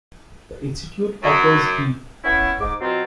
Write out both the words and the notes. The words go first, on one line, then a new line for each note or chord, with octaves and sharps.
The institute offers B.
F#2
B3 C#4 E4
G#2 D6
B2 F#3 C4 F4